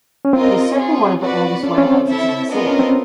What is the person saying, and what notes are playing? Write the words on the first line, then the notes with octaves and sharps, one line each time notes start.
It is certainly one of the oldest warehouses in the city.
C#4
C4 F4 A#4 D#5
C#4 F4 G#4
F#4 B4 D5 F#5
C#4 F4 A4 D5
C#4
C4
E4 A4 C#5 E5
B3 D4 F4 A#4 D#5
C#4
C4